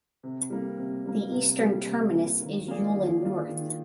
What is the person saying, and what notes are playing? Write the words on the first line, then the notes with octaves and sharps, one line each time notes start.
The eastern terminus is Yulin North.
C3
G3 A#3
C3
G3 A#3
C3
G3 A#3
C3
G3 A#3
D#3
A#3 F4 G#4 D5
D#3
A#3 F4 G#4 D5
D#3